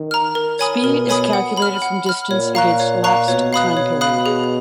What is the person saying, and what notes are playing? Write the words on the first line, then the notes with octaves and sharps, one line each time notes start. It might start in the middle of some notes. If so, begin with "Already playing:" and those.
Speed is calculated from distance against lapsed time period.
Already playing: D#3
A#5 F6
A#4
C#5 G#5 B5 D#6
B2 A#4
C#5 G#5 B5 D#6
F#5
B5 F6
F#5
B5 F6
A#2 C#5
F5 A#5 C#6 F#6
C#5
F5 A#5 C#6 F#6
B2 C#5
F5 B5 D#6 F#6
B2 C#5
F5 B5 D#6 F#6
G#4